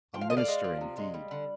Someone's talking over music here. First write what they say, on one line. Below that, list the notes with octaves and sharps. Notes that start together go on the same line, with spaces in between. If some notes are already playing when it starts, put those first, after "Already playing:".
"A minister indeed!"
F3 G5
F5
D3 D#5
D5 F5
G#3
F3
C3
G#3
G3
D3